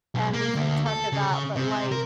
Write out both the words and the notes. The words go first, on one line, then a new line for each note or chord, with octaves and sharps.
and we keep track of that, but, like,
B1
A#3
D2
A4
C#3
C3
A#4